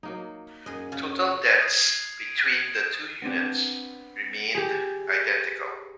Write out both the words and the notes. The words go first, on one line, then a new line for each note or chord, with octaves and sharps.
Total deaths between the two units remained identical.
F#3 A#3 D#4
F#2 G#4 D#5
C#3
D#6 G#6 C7
D7 D#7
B3 C4 D4 G4
G4 G#4